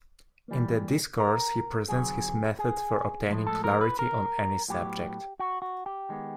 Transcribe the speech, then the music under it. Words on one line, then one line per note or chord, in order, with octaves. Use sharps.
In the "Discourse", he presents his method for obtaining clarity on any subject.
E3 G3 A#3
A#4
D3 F#3 B3 G#4
G#4
A2 F3 G#3
A4
A#4
B4
A#4
A2 F#3 B3 G4
F#4
F#4
G4
D#3 G#3 B3